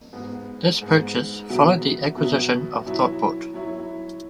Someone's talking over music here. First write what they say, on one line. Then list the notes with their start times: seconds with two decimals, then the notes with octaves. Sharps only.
This purchase followed the acquisition of Thottbot.
0.13 G#2 G#3 B3 G#4
0.81 G#2 G#3 B3 G#4
1.49 B2 F#3 B3 F#4 E5
2.17 B2 F#3 B3 F#4 E5
2.86 F#3 E4 C#5 E5
3.54 F#3 E4 C#5 E5